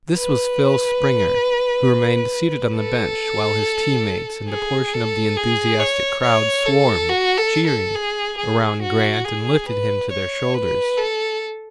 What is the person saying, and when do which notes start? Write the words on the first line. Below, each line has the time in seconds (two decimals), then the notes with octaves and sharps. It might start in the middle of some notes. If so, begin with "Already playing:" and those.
This was Phil Springer, who remained seated on the bench while his team-mates and a portion of the enthusiastic crowd swarmed, cheering, around Grant and lifted him to their shoulders.
0.18 B4
2.77 A4
4.49 G#4
4.93 A4
5.36 G#4
5.80 C#5
6.23 C#5
6.66 A4
7.09 F#4
7.37 A4
7.66 A4
7.95 G#4
8.38 G#4
8.82 F#4
9.25 G#4
9.68 B4
10.11 C#5
10.54 B4
10.97 A4